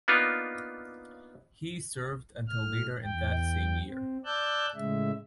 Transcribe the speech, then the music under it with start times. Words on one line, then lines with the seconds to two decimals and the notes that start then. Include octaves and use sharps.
He served until later in that same year.
0.08 A#3 B3 D4 D#4 F4
2.48 A2 F6
3.03 E2 G5
3.86 C4
4.25 D5 A5 E6 F#6 G6
4.75 A2 C#3 G#3 E5